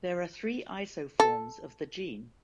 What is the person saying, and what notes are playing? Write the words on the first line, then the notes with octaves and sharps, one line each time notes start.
There are three isoforms of the gene.
A4